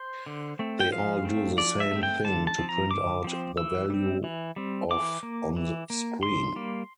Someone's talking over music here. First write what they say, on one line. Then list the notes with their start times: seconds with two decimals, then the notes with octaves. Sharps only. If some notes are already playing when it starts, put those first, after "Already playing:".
They all do the same thing-to print out the value of on screen.
Already playing: C5
0.26 D3
0.59 A3 C4
0.80 G5
0.92 F3 F5
1.25 A3 C4
1.58 F3 D5
1.80 E5
1.91 A3 C4
2.03 G5
2.24 D3 A5
2.47 A5
2.58 F3 C4
2.69 A#5
2.91 D3 D6
3.24 F3 C4
3.57 E3 E6
3.90 G3 C4
4.24 E3
4.56 G3 C4
4.90 E3 D6
5.23 A#3
5.57 E3
5.90 A#3
6.23 D3 C6
6.56 G3 A#3